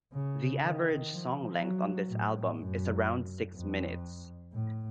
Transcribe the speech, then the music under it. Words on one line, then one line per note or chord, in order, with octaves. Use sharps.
The average song length on this album is around six minutes.
C#3
D#3
F3
F#3
A2
F#2
F2
A2